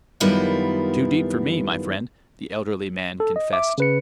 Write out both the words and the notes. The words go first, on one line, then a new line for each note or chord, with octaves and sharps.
"Too deep for me, my friend," the elderly man confessed.
F#2 D#3 G3 B3 E4 F4
A4
D#5
E5 D6
C#3 B4 C#7